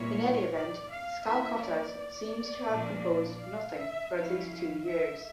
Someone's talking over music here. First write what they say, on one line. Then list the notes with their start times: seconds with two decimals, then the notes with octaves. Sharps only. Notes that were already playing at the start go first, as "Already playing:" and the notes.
In any event Skalkottas seems to have composed nothing for at least two years.
Already playing: A#2 G3 A#3 E4 C#5
0.54 D5
0.90 F5
1.25 E3 A#3 C#4 E4 E5
1.62 D5
2.69 A#2 F3 A#3 D4
3.41 F5
3.77 E5
4.12 D3 F3 C#4 E4 F5
4.84 E5